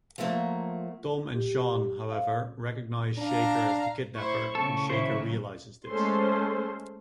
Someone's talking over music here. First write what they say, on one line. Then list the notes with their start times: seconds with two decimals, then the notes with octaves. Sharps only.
Tom and Sean, however, recognize Shaker as the kidnapper, and Shaker realizes this.
0.18 F3 F#3 A3 A#3 F4
1.34 G4
2.10 F5
3.18 D4 F5 A#5
4.15 A2 E4 C5 C#6
4.55 C#3 A4
4.90 D#3 F#3 A#3 E4 C5
5.88 G#3 A3 C#4 A4 C5 C6